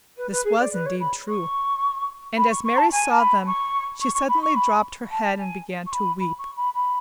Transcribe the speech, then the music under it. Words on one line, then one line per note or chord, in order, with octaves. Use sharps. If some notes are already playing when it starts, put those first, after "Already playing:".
This was indeed true, and as Mary saw them she suddenly dropped her head and began to weep.
B4
B4
G#4
D5
B4
C#5
B5
C#6
B5
C#6
C#6
A5
G#5
A5
B5
C#6
C#6
C#6
B5
C#6
B5
A5
G#5
C#6
B5
B5
C#6
B5
B5